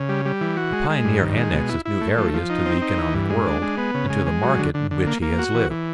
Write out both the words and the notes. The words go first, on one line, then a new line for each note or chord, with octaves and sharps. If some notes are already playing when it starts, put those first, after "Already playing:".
The pioneer annexes new areas to the economic world and to the market in which he has lived.
Already playing: C#3
G3
G3
E3
F#4
G#3
G#3
G2
D#3
G#3
B2
E4
E4
A3
F3
F3
D#4
C4
D#4
E3
G2
G#3
D4
G#3
B3
C#3
G#3
G#3
F#3
D3
D3
D3
A#3
A#3
F#4
E3
E3